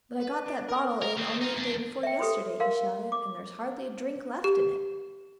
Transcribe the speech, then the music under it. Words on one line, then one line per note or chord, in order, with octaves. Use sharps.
"But I got that bottle in only the day before yesterday," he shouted, "and there's hardly a drink left in it."
B4
D4
A#4
A#4
D#3 C4
D#4 F4
E2 D4
E5 G5
G4 A4 B4 C6
A#4 F5 C6
D6
G4